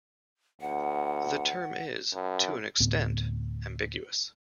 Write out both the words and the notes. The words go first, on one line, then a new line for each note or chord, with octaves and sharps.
The term is, to an extent, ambiguous.
D2 F#5
F#2
D2 A2 B3 C4